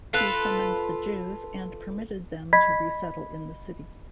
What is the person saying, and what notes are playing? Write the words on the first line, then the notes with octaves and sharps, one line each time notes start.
He summoned the Jews and permitted them to resettle in the city.
F4 A4 B4
D#5 B5 G#6 B6